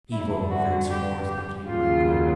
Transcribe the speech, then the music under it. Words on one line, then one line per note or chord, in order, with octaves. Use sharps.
Evil thenceforth became my good.
F2 D3 G3 E4
F#4
G4
G4
D#2 C#3 F#3 F4